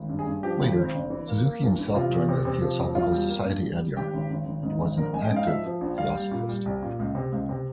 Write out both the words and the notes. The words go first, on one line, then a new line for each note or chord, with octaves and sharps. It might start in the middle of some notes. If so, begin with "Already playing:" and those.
Later Suzuki himself joined the Theosophical Society Adyar and was an active Theosophist.
Already playing: G#1
G2
G#4
G2
F3 G4
G#1
C4
G1
E3
A#3
A#3
G2
E3
C3 F4
E2
C3
C3
F3
E1
E3 F4
G3
A#3
G2
G3
G3
G#1 G4
G#1
G#1
G#1
G#2
G#1
A#1 A#4
G#3 G#5
G5
G#2
F5
F3 E5
F3
A#1
G3 F5
G3
A#2
G3
C2
A#2
C#2
C3
C#2
C3